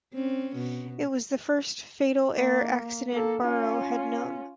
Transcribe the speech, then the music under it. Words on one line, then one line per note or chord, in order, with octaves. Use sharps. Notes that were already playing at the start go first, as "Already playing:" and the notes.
It was the first fatal air accident Barrow had known.
C4 C#4
B2
A#3
A#3 A4
C#4 F4